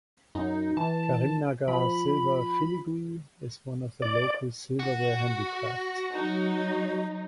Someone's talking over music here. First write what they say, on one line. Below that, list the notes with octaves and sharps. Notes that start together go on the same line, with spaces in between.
Karimnagar Silver Filigree is one of the local silverware handicrafts.
F#2 D#4
E3 A5
F3 B5
D5
F#4
F#3 D#4